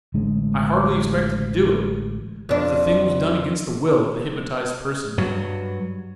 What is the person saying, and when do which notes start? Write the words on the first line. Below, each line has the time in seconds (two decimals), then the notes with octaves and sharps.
I hardly expected to do it: the thing was done against the will of the hypnotised person.
0.14 A1 D3 G#3
2.49 F2 D4
5.18 G2 F#3